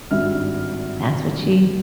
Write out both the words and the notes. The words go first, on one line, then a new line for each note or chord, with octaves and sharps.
that's what she
G#1 G2 E5 F6